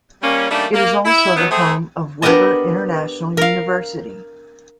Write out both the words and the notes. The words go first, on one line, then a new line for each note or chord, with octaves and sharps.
It is also the home of Webber International University.
G3 A#3 C#4
D#3 G3 A3 A#3 C#4 D4
A#3
E4
D#3 F#3 B3
A3 C4 G#4
B3 D4 G4 A#4 D#5 A5
A#4 F5